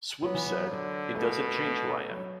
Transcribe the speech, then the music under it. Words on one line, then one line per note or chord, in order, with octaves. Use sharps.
Swoopes said, it doesn't change who I am.
F#3 B3
E3
F#3
D3
B2 A3
A3
F#3